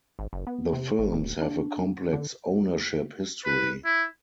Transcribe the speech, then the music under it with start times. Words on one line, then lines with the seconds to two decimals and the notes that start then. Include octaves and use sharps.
The films have a complex ownership history.
0.19 G#1
0.33 F#1
0.47 B3
0.73 C3
0.99 G#1
1.12 D1
1.42 D4
2.13 D3
3.44 B4
3.85 E4